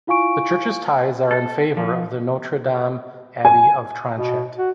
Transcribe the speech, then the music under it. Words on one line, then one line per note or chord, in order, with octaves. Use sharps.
The church’s tithes are in favor of the Notre-Dame abbey of Tronchet.
E4 F4 F5 G#5 C#6 D7
A4
F3
G#5
B2
F#4